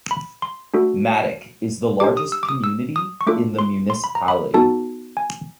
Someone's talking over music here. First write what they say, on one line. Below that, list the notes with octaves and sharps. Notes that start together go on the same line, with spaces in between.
Madoc is the largest community in the municipality.
B5
C6
A3 D4 F#4 A4
D4 G4 D6
D#6
E6
D6
D#6
E6
D#6
C#6
A3 D4 F4 A4 D6
C6
C6
B5
A#5
B5
B3 D#4 F#4 A4 A5
G#5